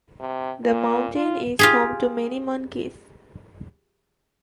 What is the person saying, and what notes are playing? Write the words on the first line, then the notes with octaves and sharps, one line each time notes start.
The mountain is home to many monkeys.
C3
A#2
F4
F4 G4 G#4